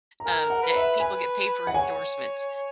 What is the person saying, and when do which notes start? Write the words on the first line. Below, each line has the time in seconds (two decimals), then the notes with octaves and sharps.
um, that people get paper endorsements.
0.20 A#5
0.26 A#4 G#5
0.50 F#5
0.62 B4
0.76 E5
1.00 B4 G#5
1.67 F#5
1.74 C#5 G#5